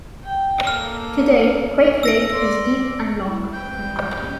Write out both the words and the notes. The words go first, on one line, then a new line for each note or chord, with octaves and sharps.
Today, Quake Lake is deep and long.
G5
A#3 A4 F6
E6 A#6 D7
D5 C6
E4
C4 B4 G5
E3 G3 G#3
C#4 G4